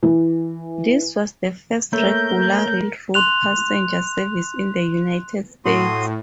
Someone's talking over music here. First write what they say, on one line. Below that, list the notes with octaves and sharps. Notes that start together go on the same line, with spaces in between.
This was the first regular railroad passenger service in the United States.
E3
A3 A#3 A#4 C#5 G6
C6 F#6 F7
A2 F#4 C6 D#6